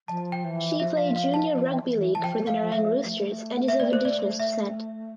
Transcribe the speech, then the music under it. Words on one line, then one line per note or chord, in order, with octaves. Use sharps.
She played junior rugby league for the Nerang Roosters and is of Indigenous descent.
F3 A5
G5
E3
F3 E5
F5
F5
A5
F3
E3
E3
E3 A5
F3 G5
A3
F5
F3
G3 E5
F3
A3
E5
D5
C5
D5
E5